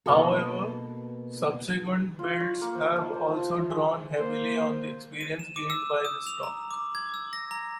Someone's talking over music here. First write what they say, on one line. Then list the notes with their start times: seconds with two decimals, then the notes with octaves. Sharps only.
However, subsequent builds have also drawn heavily on the experience gained by this stock.
0.06 B2 A#3 F#4 A4
2.19 F4
2.40 C#6
2.61 A#3
2.75 C5
2.96 A5
3.14 C5
3.36 F4
3.54 E5
3.70 G#3
4.18 A#3 C5
5.21 D#7
5.39 E7
5.56 D6
5.70 E6
6.05 D#6
6.27 F7
6.43 A#5
6.71 D6
6.95 G#6
7.14 E6
7.33 A#6
7.51 A#5